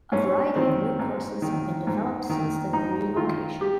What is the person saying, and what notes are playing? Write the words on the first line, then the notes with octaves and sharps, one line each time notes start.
A variety of new courses have been developed since the relocation.
G#2 C#4
D#3 C4
G#2
D#3
G#2
D#3
G#2 D#4
D#3 F4
G4